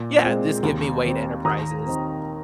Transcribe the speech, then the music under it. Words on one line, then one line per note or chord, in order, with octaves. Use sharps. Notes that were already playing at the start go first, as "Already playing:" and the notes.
Yeah. Just give me Wayne Enterprises,
Already playing: A#2
G#3 C4
D#2
D#3 C4
D#2 A#5 D#6
D#3 C4